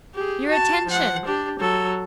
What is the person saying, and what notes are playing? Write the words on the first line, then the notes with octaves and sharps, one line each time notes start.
Your attention!
G4 G#4
F#4 A5
F3 F#5
D4 G4
F#3 A4